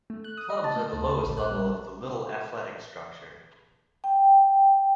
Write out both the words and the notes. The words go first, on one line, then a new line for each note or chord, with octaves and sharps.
Clubs are the lowest level of the Little Athletics structure.
A3
F#6
D#6
D#5
A5
A3
D2
B4
A#1
F#6
G3
G5